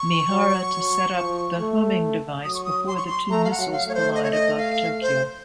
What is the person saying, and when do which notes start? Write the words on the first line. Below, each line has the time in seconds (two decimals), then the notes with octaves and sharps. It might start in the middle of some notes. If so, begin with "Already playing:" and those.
Mihara to set up the homing device before the two missiles collide above Tokyo.
Already playing: C#6
0.30 F#3
0.73 F#3
1.16 F3
1.59 A3
2.44 F#3 D#6
2.54 C#6
2.65 D#6
2.87 C6
2.97 C#6
3.07 C6
3.30 A3 A#5
3.44 F5
3.51 F#5
3.59 F#3
3.72 F5
3.87 A3 C#5
3.95 C5
4.15 D#5
4.23 C#5
4.31 D#5
4.58 F5
5.02 C5